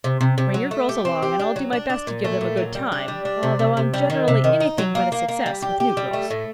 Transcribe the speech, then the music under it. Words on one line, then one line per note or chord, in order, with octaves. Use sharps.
Bring your girls along and I'll do my best to give them a good time, although I'm generally anything but a success with new girls.
C3
C3
C3
F#3
A3
G4
C4
G4
D4
F#3
D4
D4
A#2
A3
A#2
F#3
G3
D4
G3
D4
C3
C3
C3
G3
D#3
C3
D#3
D#4
F#3
A#3
A#3
A#3
G3
G4
G4
G3
A3
A2